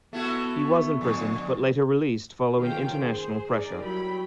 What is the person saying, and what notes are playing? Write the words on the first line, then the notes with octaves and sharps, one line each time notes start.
He was imprisoned, but later released following international pressure.
A3 B3 E4 F#4
F2 D3
D#3 C#4 F4 G4 F5 G5
G#4 C5
D#4 G#4 A#4 D5
F#3 G3 E4 G5 B5